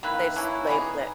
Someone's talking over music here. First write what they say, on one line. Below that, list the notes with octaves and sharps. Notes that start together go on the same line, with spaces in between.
They just labeled it.
D#3 A#3 E4 B4
E3 A#3 C#4 E4
E3 B3 D#4 G#4